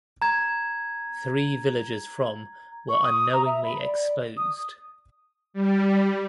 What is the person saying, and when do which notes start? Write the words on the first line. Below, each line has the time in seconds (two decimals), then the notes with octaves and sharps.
Three villagers from were unknowingly exposed.
0.22 A#5 G#6
2.88 C#6
3.02 D#6
3.33 A#5
3.45 E5
3.63 B5
3.81 D5
4.37 D#6
5.54 G3